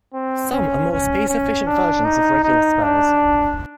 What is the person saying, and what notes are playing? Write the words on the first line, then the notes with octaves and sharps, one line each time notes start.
Some are more space-efficient versions of regular spells.
C4
C#4
C#4
C#4
D4
D#4
D#4
D4